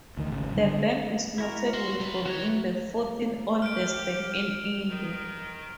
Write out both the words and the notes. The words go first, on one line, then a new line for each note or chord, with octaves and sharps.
The bank is notable for being the fourteenth oldest bank in India.
D2 D#3
G#1 C#3
D3 G3 C4 D4
E4 F#4 A#4
F#4 C6
C3 B4
D#3 F#4 B4 C#5 A#5
G4 F6 D7
D#3